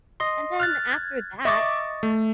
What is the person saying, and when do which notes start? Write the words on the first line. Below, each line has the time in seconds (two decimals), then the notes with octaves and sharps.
And then, after that
0.20 D#5 C6
0.60 F6 F#6 A6
0.92 G#6
1.45 D#5 E5 C#6 D6 A6
2.03 A3